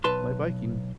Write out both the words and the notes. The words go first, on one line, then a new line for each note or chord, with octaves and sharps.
my biking.
B1 B4 A5 C6